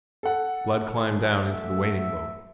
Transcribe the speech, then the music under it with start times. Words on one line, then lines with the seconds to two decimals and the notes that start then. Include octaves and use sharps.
Blood climbed down into the waiting boat.
0.23 A4 F#5
0.95 D#3 C5 G#5
1.40 A3 E5